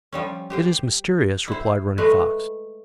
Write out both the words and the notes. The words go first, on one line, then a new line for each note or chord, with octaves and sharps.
"It is mysterious," replied Running Fox.
F3 G3 C#4
G4 C5 G5
E4 C5
G#3 A3 B4 D#5